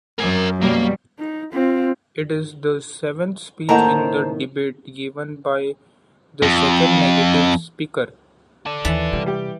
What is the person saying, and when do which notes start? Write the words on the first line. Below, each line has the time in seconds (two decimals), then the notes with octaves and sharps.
It is the seventh speech in the debate, given by the second negative speaker.
0.19 F#2 A#4 G#5
0.63 B2 F#3 G3 A#3
1.19 D#4
1.53 C4 F4
3.69 A2 D#3 A#3 C5 D#5 F#5 A5 A#5
6.43 F2
8.66 A4 D5
8.85 D#2 D#3 E3 A5
9.13 C3 G3
9.26 G3 G4